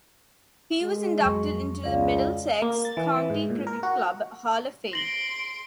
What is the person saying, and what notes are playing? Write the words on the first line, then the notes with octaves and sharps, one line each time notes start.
He was inducted into the Middlesex County Cricket Club Hall of Fame.
G#3
F2 F#3 C#6
C#2 D5 F5
A#3
A6
E3
E3
G#2
A#2
A#4
F#4
C6 A#6 D7 F#7 G7